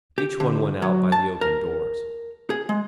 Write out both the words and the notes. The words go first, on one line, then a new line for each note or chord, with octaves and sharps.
Each one went out by the open doors.
G4
D3
F#3
A5
A#4
G#4
G#3